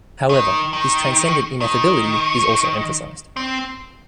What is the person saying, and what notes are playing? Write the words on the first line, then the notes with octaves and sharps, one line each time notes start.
However, his transcendent ineffability is also emphasized.
D#3
D#3
D#3
C4